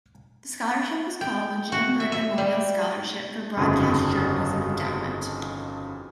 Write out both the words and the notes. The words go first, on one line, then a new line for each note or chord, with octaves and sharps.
The scholarship was called the Jim Burt Memorial Scholarship for Broadcast Journalism Endowment.
G5
F#4
E5
E5
G3
G1 F2 C#3 D#4 F#4 G#4